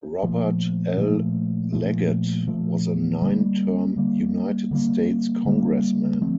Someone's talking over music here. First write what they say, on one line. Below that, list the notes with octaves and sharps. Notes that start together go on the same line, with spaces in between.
Robert L. Leggett was a nine-term United States Congressman.
A#2 F3 A3
A#2 F3 A3
A#2 F3 A3
A#2 F3 A3
D3 G3 A#3
D3 G3 A#3
D3 G3 A#3
D3 G3 A#3
F3 A3 C4